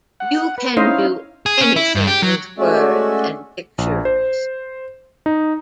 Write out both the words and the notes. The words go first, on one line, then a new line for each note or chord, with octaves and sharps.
You can do anything with words and pictures'.
F#5
B4
C#4 D#4 E4 C5 D#5 F5
G#4
C#4
E4
G2
G4
F#3
G#3 A3 C#4 F#4 D5 E5
A#1
C5
D#4